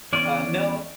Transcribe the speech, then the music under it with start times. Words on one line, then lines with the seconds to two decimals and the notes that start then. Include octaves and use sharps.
Uh, no.
0.13 E2 C#4 D5